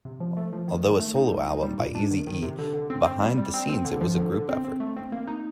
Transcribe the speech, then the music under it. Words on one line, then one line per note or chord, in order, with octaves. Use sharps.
Although a solo album by Eazy-E, behind the scenes it was a group effort.
C3
F3
A3
F3
D#3
D#3
A3
D#4
G3
D#4
G3
A#2
D4
D#3
D#3
C3
D3
D3
C4
C4
G3
G3
C4
C4
D3
F3
D3
D3
C4
C4
A3
C4
A#3
D#4